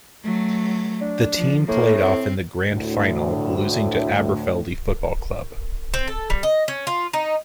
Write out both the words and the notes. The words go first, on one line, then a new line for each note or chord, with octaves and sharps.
The team played off in the Grand Final, losing to Aberfeldie Football Club.
F#3 A3
D4
F3
A2 A#3
C4
D2 A2
C4
A4
G3
D#5
C#4
F4
D#4